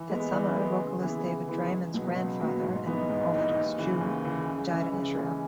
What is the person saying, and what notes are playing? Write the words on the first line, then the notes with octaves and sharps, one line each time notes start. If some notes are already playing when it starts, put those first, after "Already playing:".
That summer, vocalist David Draiman's grandfather, an Orthodox Jew, died in Israel.
Already playing: E3
G#3 B3
E3
G#3 B3
C#3
E3 B3 E4 G#4
C#3
E3 B3 E4 G#4
C#2
B2 F#3 B3 F#4
C#2
B2 F#3 B3 F#4
G#2
E3 B3 D#4
G#2
E3 B3 D#4
D#2
C#3 E3
D#2
C#3 E3
C#3
E3 G#3 C#4
C#3
E3 G#3 C#4